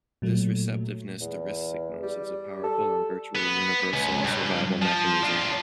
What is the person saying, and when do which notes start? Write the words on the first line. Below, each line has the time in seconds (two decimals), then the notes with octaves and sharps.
This receptiveness to risk signals is a powerful and virtually universal survival mechanism.
0.22 A#2 F#3 A3
1.21 E2
2.03 G3
2.64 A4
3.35 B3
3.93 C#2
4.24 G2
4.82 F3
5.23 D4 F4